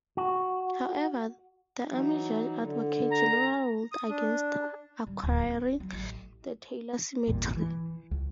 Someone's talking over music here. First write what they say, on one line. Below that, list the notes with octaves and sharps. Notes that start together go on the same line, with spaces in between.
However, the Army judge advocate general ruled against acquiring the Taylor cemetery.
F#4
E3 F#3 D#4
D3
A#5
D#6
D4
G3
D1
C4
F#3
A1
G#1 E2 G2 A#2
E3
C#2